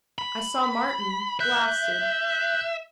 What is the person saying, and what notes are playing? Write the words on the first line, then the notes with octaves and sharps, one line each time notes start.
I saw Martin--blasted.
B5
E5 F#6 G6